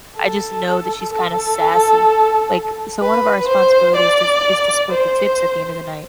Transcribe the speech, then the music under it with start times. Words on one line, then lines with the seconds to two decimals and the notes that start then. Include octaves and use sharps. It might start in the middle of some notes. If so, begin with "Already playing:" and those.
I just know that she's kinda sassy. Like so one of our responsibilities is is to split the tips at the end of the night,
0.17 A4
1.12 A4
3.02 B4
3.48 C5
3.96 D5
4.91 C5